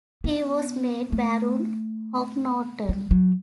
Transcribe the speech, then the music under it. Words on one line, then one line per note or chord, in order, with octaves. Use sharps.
He was made Baron Hocknorton.
B3
A3
G3
F#3